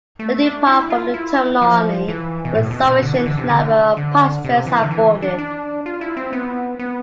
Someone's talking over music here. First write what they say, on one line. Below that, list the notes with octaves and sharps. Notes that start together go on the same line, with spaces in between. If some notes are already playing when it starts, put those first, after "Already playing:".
They depart from the terminal only when a sufficient number of passengers have boarded.
A3
D4
E4
F4
E4
F3
E3
B2
A2
B2
B2
D3
E3
D3
C3
D3
D3
C3
E3
D3
E3
D4
D4
F4
E4
C4
B3
B3